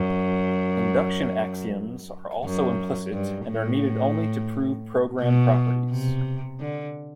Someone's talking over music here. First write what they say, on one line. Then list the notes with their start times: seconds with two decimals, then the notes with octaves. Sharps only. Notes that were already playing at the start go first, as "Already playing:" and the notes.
Induction axioms are also implicit, and are needed only to prove program properties.
Already playing: F#2
2.44 F#2
3.13 G2
3.48 A2
5.21 B2
5.90 C3
6.60 D3